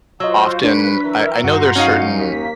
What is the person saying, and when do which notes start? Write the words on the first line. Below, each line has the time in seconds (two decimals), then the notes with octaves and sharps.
often, I I know there's certain,
0.20 F#3 F4 C5 D#5 E6
0.64 A#3 D4 B4 B6
1.04 E3 A#4 E5
1.44 G2 F#4 A#5 C6 G6
1.75 F#2 C#4 D#4 F#4 F5
2.18 D#2 A#3 B6